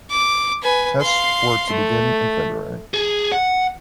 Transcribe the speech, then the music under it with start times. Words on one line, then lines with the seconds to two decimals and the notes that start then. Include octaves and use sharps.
Tests were to begin in February.
0.10 D6
0.63 B4 G#5
1.01 F5 C6
1.70 A3
2.94 G#4
3.32 F#5